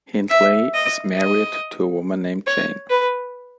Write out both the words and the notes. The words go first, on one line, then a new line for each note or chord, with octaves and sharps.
Hindley is married to a woman named Jane.
E5
D#5
D#5
C#5
B4